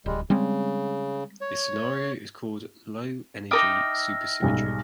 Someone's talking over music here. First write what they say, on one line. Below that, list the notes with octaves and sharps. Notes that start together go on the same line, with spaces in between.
This scenario is called "low energy supersymmetry".
D1 G3 G#3
C#3 G3 G#3 C4
C#5
D#4 A#4 E5 G5 D6 D#6 F6 A#6
B1 G#2 G3